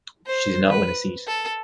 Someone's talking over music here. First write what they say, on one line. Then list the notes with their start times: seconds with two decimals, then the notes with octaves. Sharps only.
She did not win a seat.
0.26 C5
0.69 B4
1.27 A4